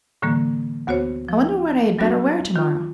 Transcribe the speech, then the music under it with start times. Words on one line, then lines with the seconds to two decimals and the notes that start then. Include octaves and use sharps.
I wonder what I had better wear tomorrow.
0.22 A2 D3 E3 G3 A#3
0.87 D2 B3 F#4 C5 C#5
1.29 F3
1.99 F#3 G3 B3 D4 F#4
2.55 D#3 F4